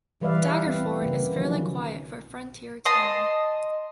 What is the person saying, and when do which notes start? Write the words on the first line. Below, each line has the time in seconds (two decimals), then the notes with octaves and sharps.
Daggerford is fairly quiet for a frontier town.
0.21 E3 G3 B4 D5 E5 F5
0.66 B3 C4
1.02 C#3 A#3
1.36 D#3 F3 F#3 C#4
2.85 D#5 A5 C6